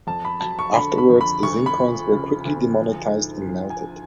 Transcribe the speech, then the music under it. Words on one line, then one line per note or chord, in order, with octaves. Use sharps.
Afterwards, the zinc coins were quickly demonetized and melted.
F2 A5
B5
F#3 A5
C#6
D3 B5
B5
F2
B5
D2 C#6
B5
F3
C#3
D2
F3
G#2
F3
G#5